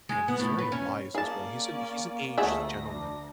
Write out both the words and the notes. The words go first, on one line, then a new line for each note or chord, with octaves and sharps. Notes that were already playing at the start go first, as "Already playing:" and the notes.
and he's very wise as well. He's an he's an aged gentleman.
G#3
B3
A2
B4
C#4
A#3 C#4 G#4 D5 A5
D2 F3 A3 F#4 G#4 A4 E5 A#6
D4